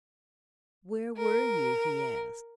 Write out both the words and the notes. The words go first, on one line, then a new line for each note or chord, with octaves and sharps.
"Where were you?" he asked.
A#4